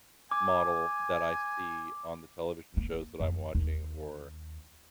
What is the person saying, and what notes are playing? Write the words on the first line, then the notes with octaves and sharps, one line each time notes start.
model that I see on the television shows that I'm watching or
G#5 D6
A#3
F2
D#2